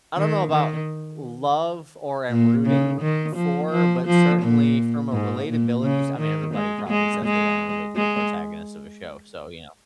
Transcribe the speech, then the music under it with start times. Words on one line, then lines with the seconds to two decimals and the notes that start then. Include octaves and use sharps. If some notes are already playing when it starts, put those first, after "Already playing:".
I don't know about love or am rooting for, but certainly from a relatability s I mean, everybody probably says they wanna relate to the protagonist of a show, so, you know,
0.17 D#3
0.52 D#3
2.30 A#2
2.66 C#3
3.01 D#3
3.36 F3
3.71 F3
4.07 F3
4.42 A#2
5.13 G#2
5.49 A#2
5.83 C#3
6.19 D#3
6.54 G#3
6.89 G#3
7.24 G#3
7.96 G#3